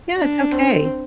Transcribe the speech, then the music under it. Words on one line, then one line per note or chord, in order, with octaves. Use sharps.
Yeah, it's okay.
D4
C4